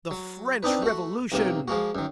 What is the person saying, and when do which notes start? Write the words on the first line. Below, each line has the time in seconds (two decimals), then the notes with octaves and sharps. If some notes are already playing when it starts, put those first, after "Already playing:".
"The French Revolution!"
0.11 F#3
0.63 C4 D4 D#4 B4
0.82 A3 F#4
1.32 B1 C3 A#3
1.68 F3 G#3 A#3 F#4
1.95 F#2 D#3